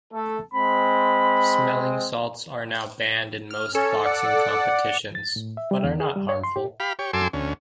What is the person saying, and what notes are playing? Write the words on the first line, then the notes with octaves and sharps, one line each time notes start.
Smelling salts are now banned in most boxing competitions, but are not harmful.
A3 A4
G#3 C4 B5
F6
C#4 A4 C#5
D5 F#5
A6
A2
E5
G3
E2
G#4
G3
C#5
C6
G4
G4 F5 B5
G4 C#5
F#2 A4 G#5 C6 D6 E6
D2 C#4